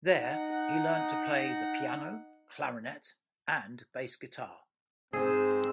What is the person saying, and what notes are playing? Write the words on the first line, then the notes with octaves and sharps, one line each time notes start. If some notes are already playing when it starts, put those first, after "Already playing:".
There he learnt to play the piano, clarinet and bass guitar.
D#4 F#5
G#2 C4 G#4 E6